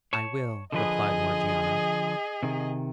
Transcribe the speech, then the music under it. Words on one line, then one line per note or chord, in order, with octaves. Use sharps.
"I will," replied Morgiana.
C#5 A5
D3 F3 G#4 B4 D#5
C3 D#3